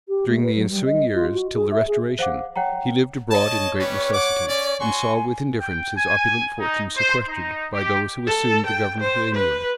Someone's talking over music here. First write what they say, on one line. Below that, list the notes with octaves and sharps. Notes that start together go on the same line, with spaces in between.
During the ensuing years, till the restoration, he lived abroad in great necessity, and saw with indifference his opulent fortune sequestered by those who assumed the government of England.
G4
A3
B4
F#3
G3
D#5
F4
F#4
G#4
E5
G#4
C5 F5 F#5 D6
C#5 F#5 G5 A#5
C#5 D#5 A5
G3 C#4 B4
F#5 D6
C#4 D5
F#4 G#5 C6 C#6
G5
G#5
D#4
C5
D#4
G4
A4
G5
C5
B4